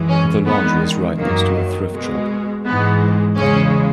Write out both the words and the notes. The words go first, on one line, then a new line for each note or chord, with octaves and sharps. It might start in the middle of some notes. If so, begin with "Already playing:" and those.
The laundry is right next to the thrift shop.
Already playing: F#2 E3 G#3
C#4
E2 D#3 G#3 B3
F#2 D#3 F#3 A#3
B2 G#3
G#2 E3 G#3 B3
E2 C#3 G#3 C#4